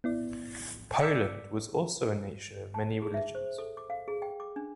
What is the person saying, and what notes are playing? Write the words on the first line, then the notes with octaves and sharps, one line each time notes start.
Poland was also a nation of many religions.
B3 E4 D5
D5 D6 E6 B6 C#7
A5
G#4
E5
C5
A4
D6
F5
G#4
G5
D6
D4